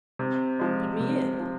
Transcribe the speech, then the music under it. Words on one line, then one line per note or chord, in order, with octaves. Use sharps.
"Put me in."
C3
F3 G#3
C3
F3